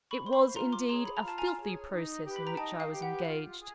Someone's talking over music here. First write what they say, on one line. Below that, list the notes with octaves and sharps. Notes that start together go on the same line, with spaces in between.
It was, indeed, a filthy process in which I was engaged.
B5 C#6
C5 F5 C6
B5 C#6
F4 A#5 C6
C6 D6
G#4 C#5 A#5 C6
B5
A#5
F4
A5
G#5 A#5
G#4 C#5
D#4
G4 B4
B5
A#5
D#4 G5 A5
F5 G5
G4 B4
F#5
F4 F5
G#4